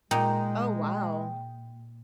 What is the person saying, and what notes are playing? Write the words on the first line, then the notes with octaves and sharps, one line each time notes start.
Oh, wow.
A#2 G#3 D#4 G5